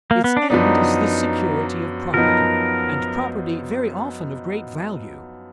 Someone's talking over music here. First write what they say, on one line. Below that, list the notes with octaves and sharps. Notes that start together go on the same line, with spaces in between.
Its end is the security of property; and property very often of great value.
A#3
B3
D4
F#2 F3 B3 D4 D#4
F#2 F3 B3 D#4 A#4